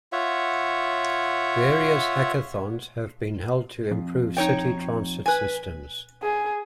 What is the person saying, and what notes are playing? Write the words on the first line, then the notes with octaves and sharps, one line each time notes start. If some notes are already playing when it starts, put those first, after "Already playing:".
Various hackathons have been held to improve city transit systems.
F4 C#5 E5 F#5
F2
D#4 C#5 G5
B4 G#5
G#4